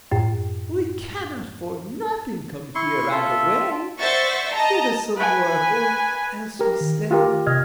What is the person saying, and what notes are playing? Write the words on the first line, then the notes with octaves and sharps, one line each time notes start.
"We cannot for nothing come here, and away. Give us some work, or else we stay."
F#2 A2
E4 C6 C#6
F4 A4 E5
C5 D5 E5 F#5 C#6 A6
D#5 A5 A#5
B4 G#5
G4 A#4
D#3
F4 G4 A#4
C3 D#5 F6 G#6